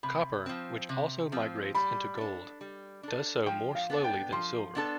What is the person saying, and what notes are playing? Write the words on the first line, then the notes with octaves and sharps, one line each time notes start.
Copper, which also migrates into gold, does so more slowly than silver.
C3 B5
F3 C4
C3
F3 C4
G3 B5
D4 A4
G3
D4 A4
F3 G5
F5
B3 D4 A4
G5
F3 C6
B3 D4 A4